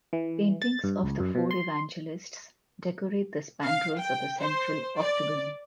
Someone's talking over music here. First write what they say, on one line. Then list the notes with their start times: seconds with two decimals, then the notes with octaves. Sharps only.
Paintings of the four evangelists decorate the spandrels of the central octagon.
0.13 E3
0.62 A6
0.84 G2
1.03 C#2
1.20 F#2
1.35 B2
1.51 C6
3.62 F5
3.99 G5
4.39 C5
4.99 D5